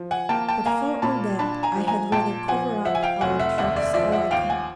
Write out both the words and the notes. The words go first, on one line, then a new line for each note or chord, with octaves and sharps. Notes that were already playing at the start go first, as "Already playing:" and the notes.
But for all that, I had rather cover up our tracks all I can.
Already playing: F3
F#5 G#5
A#3 G5 A5
G5 A5
A#3 G#5 A#5
A#2 A5 B5
D4 A5 B5
G#5 A#5
F3
G#5 A#5
A#2 G5 A5
F3 F#5 G#5
F3 E5 F#5
G#5
F5 G5
F1 F#5 G#5
E5 F#5
D#2 E5 F#5
D5 E5
F3 D5 E5
E5 F#5
D#2 F5 G5
F#5 G#5